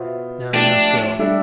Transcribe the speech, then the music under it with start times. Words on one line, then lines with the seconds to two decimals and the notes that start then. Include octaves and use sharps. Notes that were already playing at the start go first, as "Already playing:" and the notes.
Now you must go.
Already playing: B2 B3 F4 C5 E5
0.53 F3 A3 D4 E4 G4 D5
1.19 G3 D4 A4 E5